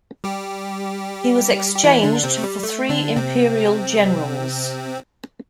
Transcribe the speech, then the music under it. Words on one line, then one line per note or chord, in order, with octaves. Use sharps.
He was exchanged for three imperial generals.
G3 G4
G4
E3 E4
D3 D4
C3 C4
A3
G3
A3
D3 D4
C3 C4